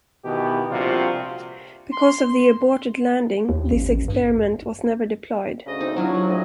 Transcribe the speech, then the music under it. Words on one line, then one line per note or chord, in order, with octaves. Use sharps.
Because of the aborted landing, this experiment was never deployed.
B2 D#3 E3 B3 G4
A#1 C3 G3 F4 F#4
C6
D#2
A1
A1
G2
D2 C#3 D#5
C4 D#4
F#3 D4 E4 F4
G4
D2 A2 D#5